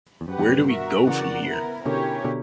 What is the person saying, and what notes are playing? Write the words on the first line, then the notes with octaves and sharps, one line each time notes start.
Where Do We Go from Here?
E2
F#2 G4 B4 F#5
E2 G2
F#2 A#2
G2 B2
F#4 A#4 E5
C#3 E3 F#4 A#4 D5 F#5
B3 E4 A#4
B2 D3 C#4 E4 G4 A#4 C#5
B2 D3